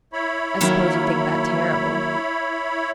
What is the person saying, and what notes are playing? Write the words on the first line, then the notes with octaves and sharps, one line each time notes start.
"I suppose you think that terrible."
E4 C#5 B5
D#3 F#3 A#3